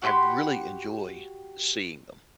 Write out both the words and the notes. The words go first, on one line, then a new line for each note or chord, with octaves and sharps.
I really enjoy seeing them.
F#4 G4 B5 C6